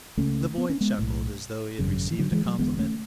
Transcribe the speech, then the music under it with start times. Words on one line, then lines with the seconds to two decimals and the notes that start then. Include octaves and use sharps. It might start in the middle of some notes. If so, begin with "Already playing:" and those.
The boy chuckled as though he had received a compliment.
0.17 C#2 C#3 A3 C#4
0.58 B3
0.70 C#4
0.81 G#3 B3
0.99 B1 A2
1.79 G#1 F#2 C#3
2.11 E3
2.19 D3 F#3
2.32 E3 G#3
2.46 F#3 A3
2.59 E1 E2 D3 G#3 B3
2.79 A3 C#4